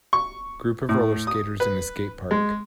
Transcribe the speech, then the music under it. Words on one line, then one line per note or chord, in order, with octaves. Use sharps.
Group of rollerskaters in a skate park.
C#6
A2
D#6
B4
G#3